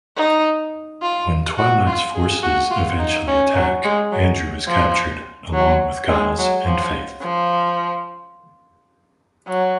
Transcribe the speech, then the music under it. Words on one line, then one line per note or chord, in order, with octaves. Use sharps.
When Twilight's forces eventually attack, Andrew is captured along with Giles and Faith.
D#4
F4
F#4
F4
G#4
F#4
F4
D#4
C#4
F#3
G#3
F#3
F3
F#3
G#3
F#3
F3
F3
F#3